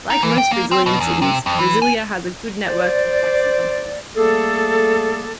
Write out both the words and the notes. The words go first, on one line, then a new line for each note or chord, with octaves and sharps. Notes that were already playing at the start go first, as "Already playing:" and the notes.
Like most Brazilian cities, Brasilia has a good network of taxi companies.
D#4
E3
G5
A#3
C4
B2
E2
C3
F2
E3
G#5
C5 D5
G3 A3 A#3 G#4 A4